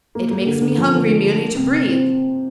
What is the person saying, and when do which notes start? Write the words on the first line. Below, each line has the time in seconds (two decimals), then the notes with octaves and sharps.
It makes me hungry merely to breathe.
0.15 A#3
0.31 A#3
0.46 D3
0.62 D3
0.78 F3
0.94 D3
1.09 D3
1.24 D3
1.56 C3
1.87 C4